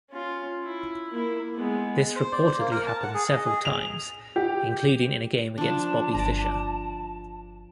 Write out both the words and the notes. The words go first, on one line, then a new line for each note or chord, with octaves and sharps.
This reportedly happened several times, including in a game against Bobby Fischer.
C#4 F4
E4
A#3 E4
G#3 B3
C5
D5
C5
A#3
A#4
A5
F#5
G#4
D#5
G#4
F7
G4
F3 D4 A5
G1 D5 A#5